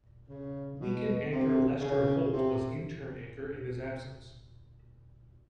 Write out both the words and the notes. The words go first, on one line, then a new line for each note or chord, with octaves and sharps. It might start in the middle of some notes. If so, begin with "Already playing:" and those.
Weekend anchor Lester Holt was interim anchor in his absence.
C#3
B2
C3
C#3
C3